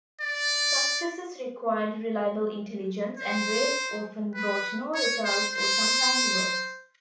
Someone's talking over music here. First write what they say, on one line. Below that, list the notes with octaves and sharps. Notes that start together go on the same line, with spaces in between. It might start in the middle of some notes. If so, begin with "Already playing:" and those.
Successes required reliable intelligence and raids often brought no result-or sometimes worse.
D5
C5
B4
C#5
C5
C5